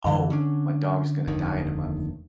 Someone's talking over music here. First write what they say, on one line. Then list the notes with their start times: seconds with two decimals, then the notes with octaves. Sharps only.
"Oh, my dog is gonna die in a month."
0.05 F#2 D3 E3
0.30 D3 C#4 D4
1.28 F1 D#2 D3 D#3